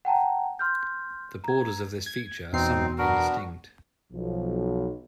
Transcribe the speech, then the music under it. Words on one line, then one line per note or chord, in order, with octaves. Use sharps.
The borders of this feature are somewhat indistinct.
F#5 G5 A5 A#5
C6 F6 G6
A#5 G#6
G#6
E2 B2 C4 D#4 C7
B3 D4 F#4 A#4
B1 F3